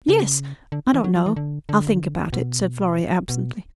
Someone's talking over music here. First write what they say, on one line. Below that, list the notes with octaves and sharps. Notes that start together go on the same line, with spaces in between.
"Yes--I don't know--I'll think about it," said Florrie absently.
C#3
D3
E3
F#3
F#3
E3
D3
D3
B2
B2